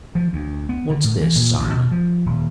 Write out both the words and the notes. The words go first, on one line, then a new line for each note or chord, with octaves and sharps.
"What's this, Simon?"
F3
D2
B3
D3
A2
E3
A#2
A1
B2
F3
D#1